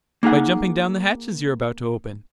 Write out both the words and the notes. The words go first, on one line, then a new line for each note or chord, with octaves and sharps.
"By jumping down the hatches you're about to open."
A#3 D#4 G#4 F#5